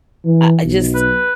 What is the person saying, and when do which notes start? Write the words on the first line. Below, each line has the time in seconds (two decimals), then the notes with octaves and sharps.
I I just
0.24 E3
0.63 B1
0.94 B4